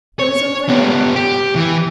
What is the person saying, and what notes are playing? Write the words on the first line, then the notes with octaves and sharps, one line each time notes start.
It was over now.
C#5
B3 G4
G4
E3